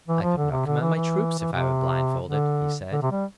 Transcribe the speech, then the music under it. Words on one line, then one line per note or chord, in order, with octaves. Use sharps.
"I could not command my troops if I were blindfolded," he said.
E3
F3
D3
C3
D3
E3
E3
E3
C3
D3
D3
C3
G3